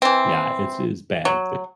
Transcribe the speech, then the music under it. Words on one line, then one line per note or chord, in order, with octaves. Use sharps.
Yeah, it's it's bad.
E3 C4
F#3